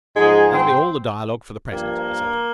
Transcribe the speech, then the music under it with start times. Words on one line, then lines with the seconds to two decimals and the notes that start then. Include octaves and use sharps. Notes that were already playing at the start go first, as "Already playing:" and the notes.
"That'll be all the dialogue for the present," he said.
0.16 G#2 F3 G#3 G#4
0.54 C4 C5
1.70 G2 F3 A#3 A#4